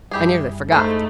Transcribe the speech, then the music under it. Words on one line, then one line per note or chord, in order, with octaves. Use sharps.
I nearly forgot.
F#2 G3 E4 G4 G#4
F#2 G#3 A3 D#4 E4 C5 F5